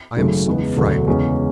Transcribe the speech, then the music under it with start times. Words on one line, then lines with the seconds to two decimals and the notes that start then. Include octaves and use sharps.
I am so frightened.
0.16 G#1 F#2 C#3 F#3 A3
0.47 E2 C#3 G#3 B3
0.77 E1 D2 D3 F#3
1.07 E2 C#3 G#3 C#4